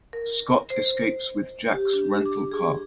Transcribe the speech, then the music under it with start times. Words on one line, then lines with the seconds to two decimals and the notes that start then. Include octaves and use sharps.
Scott escapes with Jack's rental car.
0.13 A#4
0.70 C5
1.73 G4
1.93 D4
2.25 D6
2.52 G#4